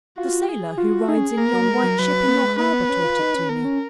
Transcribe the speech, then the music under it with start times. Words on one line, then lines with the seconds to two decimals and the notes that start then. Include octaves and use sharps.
"The sailor who rides in yon white ship in your harbor taught it to me."
0.17 F4 F#4
0.48 G#4
0.77 F4 F#4
1.08 D#4 G#4
1.18 C#4
1.38 A#3 A#4
1.53 F#3
1.69 G#3
1.83 F#3
1.98 F#3 B4
2.28 A#3
2.43 G#3
2.59 A#3 B4
2.73 B3
2.89 C#4
3.04 F4
3.19 D#4
3.35 C#4
3.49 B3 A#4
3.65 C#4